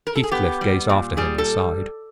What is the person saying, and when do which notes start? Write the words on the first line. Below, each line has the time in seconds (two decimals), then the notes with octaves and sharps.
Heathcliff gazed after him, and sighed.
0.07 A#4
0.16 A4
0.23 G#4
0.31 B3 G4
0.61 G3
0.90 A#2
1.17 G3 G#4
1.38 A4